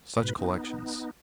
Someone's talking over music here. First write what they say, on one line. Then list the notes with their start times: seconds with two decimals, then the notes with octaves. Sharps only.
Such collections!
0.22 G#2 B2 B4
0.38 B3 D#4